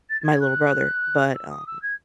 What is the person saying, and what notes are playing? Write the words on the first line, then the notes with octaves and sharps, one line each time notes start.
my little brother- but, um,
A6
A6
G#6
F#6
E6
D#6
E6
G#6